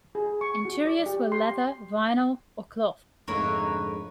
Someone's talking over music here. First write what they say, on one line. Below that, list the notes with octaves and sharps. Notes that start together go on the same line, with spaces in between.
Interiors were leather, vinyl or cloth.
G#4
C#6
F#4
D5
G4
C6
F2 G#2 D3 A3 A#4 B4 C#5